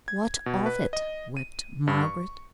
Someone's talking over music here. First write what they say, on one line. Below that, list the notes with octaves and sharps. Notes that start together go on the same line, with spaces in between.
"What of it!" wept Margaret.
G#6
B2
B4
D#5
D#7
G2
C#6